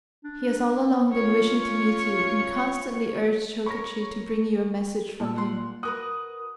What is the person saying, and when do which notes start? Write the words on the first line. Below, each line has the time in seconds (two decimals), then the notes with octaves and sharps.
He has all along been wishing to meet you, and constantly urged Chokichi to bring you a message from him.
0.24 D4
1.11 C#4 F4 C#5
3.66 A#4 C#5 B5 C#6 A#6
5.20 A#2 A5 E6
5.36 F#5 C6
5.83 F#4 A#4 B4 D#6